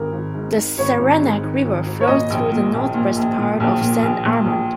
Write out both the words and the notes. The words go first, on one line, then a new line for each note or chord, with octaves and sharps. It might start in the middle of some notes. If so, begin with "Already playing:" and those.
The Saranac River flows through the northwest part of Saint Armand.
Already playing: G#1 D#3 A#4
G#1
G#2
D#3
G#1 C#5
G#1
G#2
D#3
G#1
G#1
C#5
A#2 D#5
A#1
A#2
A#1
A#2
A#1
A#2
A#1
A#2
A#1
A#2
A#1